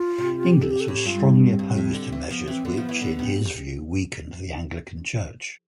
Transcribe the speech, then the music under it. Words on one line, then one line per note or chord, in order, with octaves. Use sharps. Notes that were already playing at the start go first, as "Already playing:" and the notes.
Inglis was strongly opposed to measures which, in his view, weakened the Anglican Church.
Already playing: F4
C3
G4
A4
G4
A4
A2 G4
G2 F4
E4
D4
C4
G2
A2
D3
E3
F3 B3
E3 C4
D3 B3
F3
E3
D3
C3